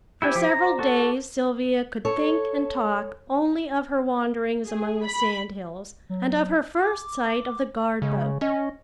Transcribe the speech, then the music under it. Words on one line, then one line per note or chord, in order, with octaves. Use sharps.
For several days Sylvia could think and talk only of her wanderings among the sand-hills, and of her first sight of the guard-boat.
C3 E4 G4 G#5 D6
F3 G4
C5 A#5
D5
F#4 A4
A4 C#5
G#4
B5
F#3
D6
C#3 G#3
C#4 D#5